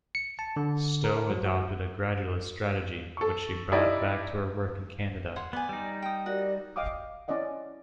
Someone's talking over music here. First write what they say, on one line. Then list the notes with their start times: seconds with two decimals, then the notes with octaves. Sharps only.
Stowe adopted a gradualist strategy which she brought back to her work in Canada.
0.15 C#7
0.39 A5
0.56 D3
1.04 A#4
1.30 F#3
1.45 F#4
3.17 A4 C#6
3.72 D#4 E4 G4 B4 D5 D#5
5.36 C#5 F#5 C6
5.53 B3 D5 G#5
5.69 G3 D#4
6.02 G5 D#6
6.26 F#4 G4 A#4 D5
6.76 D#5 F5 G5 D6 D#6
7.28 C#4 E4 D5 D#5 F#5